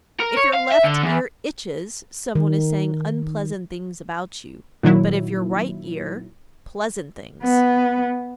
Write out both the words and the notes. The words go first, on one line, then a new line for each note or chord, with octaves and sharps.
If your left ear itches, some one is saying unpleasant things about you; but if your right ear, pleasant things.
A#4
C#5
F5
E5
D3
E2
D#3
A#2 D#3 F#3 E4
B3